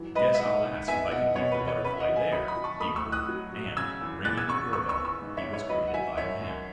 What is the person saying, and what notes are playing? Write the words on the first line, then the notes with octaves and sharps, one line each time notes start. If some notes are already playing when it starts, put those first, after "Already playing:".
"Guess I'll ask if I can leave the Butterfly there," he murmured, and, ringing the doorbell, he was greeted by a man.
Already playing: E3 F#3
G#3 B4 D#5
E5
D#4 D#5 F#5
D#4
B3 E5 G#5
B2 D#5 F#5
B2 C#5
B4
B2
C#5
C#4 B4
E5
D#5 F#5
F#3
E5 G#5
F#3 B5 D#6
B5 D#6
F#3
A5 C#6
A3 B5 D#6
C#6 E6
A2
D#6 F#6
F#3
F#3
C#3 E6 G#6
E2
E2 F#6 A6
E6 G#6
C#3 C#6 E6
B3 C#6 E6
C#6 E6
B3
C#6 E6
G#2
C#5 E5
G#2
C#5
F#3 B4 D#5
F#5
F#3 E5 G#5
F#2 C#5 E5
F#2